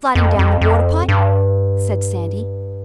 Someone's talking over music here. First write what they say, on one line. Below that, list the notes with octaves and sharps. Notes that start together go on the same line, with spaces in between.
"Sliding down the water pipe," said Sandy.
F2
F2
F2
G2